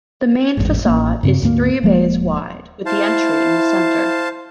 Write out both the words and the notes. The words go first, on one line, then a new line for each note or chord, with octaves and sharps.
The main facade is three bays wide with the entry in the center.
A1 F2 G#2
A1 A#3
G2 C#3 C4
D2 G#2 A#3
D#1 F3 G#3 A#3
E4 C5 F5 A5